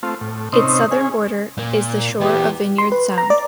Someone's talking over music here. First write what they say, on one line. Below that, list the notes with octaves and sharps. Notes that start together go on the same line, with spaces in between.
Its southern border is the shore of Vineyard Sound.
A3 C4 F4
A2
C3 C4 C#4 D#4
C#4 G#4
A#2 A#3
E3 B3 G4
C6
B4
A#5
D5